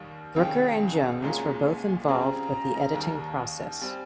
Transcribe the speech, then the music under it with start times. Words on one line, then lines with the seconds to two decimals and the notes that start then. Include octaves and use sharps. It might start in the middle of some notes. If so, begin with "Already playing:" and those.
Brooker and Jones were both involved with the editing process.
Already playing: D#2 D#3 G3
0.36 C#2 C3 D#3 G3 C#4 G5
0.65 G5
0.94 A#5
0.97 G#5
1.22 C2 A#2 G#3 C#4 F4 A#5
1.66 G#5
2.08 C#3 G3 C4 F4 G#4 A#5
2.94 D#2 D#3 G3
3.80 G3 C4 G#5